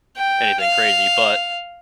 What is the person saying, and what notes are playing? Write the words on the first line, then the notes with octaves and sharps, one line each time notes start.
anything crazy, but,
G5
F5